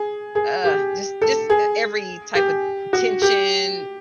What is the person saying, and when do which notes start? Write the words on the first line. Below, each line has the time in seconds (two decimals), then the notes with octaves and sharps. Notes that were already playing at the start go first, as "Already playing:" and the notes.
ugh, just just e every type of tension,
Already playing: G#4
0.35 G#4
0.64 G4
1.22 A4
1.50 G#4
2.35 G4
2.93 F#4
3.22 G4